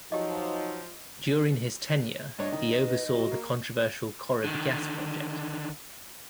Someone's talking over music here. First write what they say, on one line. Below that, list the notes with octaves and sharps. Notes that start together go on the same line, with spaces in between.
During his tenure he oversaw the controversial Corrib gas project.
F3 F#3 D#4 G4 D#5
G2 D4 C#5 D#5
D#3
B4
F#4
A#3
D3 D#3